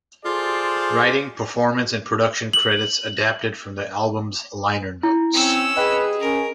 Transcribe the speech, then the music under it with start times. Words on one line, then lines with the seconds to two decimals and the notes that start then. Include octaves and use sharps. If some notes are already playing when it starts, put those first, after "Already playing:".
Writing, performance and production credits adapted from the album's liner notes.
0.24 F4 G#4 A4 C5 D5
2.53 F#7
5.03 E4
5.33 C4 C#4 E6
5.77 G#4 B4 D#5 G5
6.20 C#4 A#4